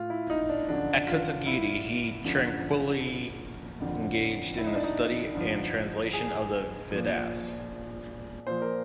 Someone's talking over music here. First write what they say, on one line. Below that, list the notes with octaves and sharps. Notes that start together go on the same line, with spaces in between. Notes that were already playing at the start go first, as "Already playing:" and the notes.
At Kotagiri he tranquilly engaged in the study and translation of the Vedas.
Already playing: A2 F4
E4
D#4
D4
F#2 D3 F3 D4
F4
E4
F#2 D3 F3
F2 D3 F3
E4
D#4
D4
D#4
G2 D3 F3
G#4
F3
A#2
A#2 F3 C5
A#4